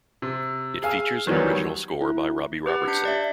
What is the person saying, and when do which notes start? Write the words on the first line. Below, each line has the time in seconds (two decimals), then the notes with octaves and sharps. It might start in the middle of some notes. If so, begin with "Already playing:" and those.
It features an original score by Robbie Robertson.
0.22 C3
0.83 G#4 F5 G#5 E6
1.27 D#3 E3 F#3 G3 B3
2.01 E4
2.66 G4 B4 F#5
2.87 D4 G6 C7 C#7
3.05 D5 E5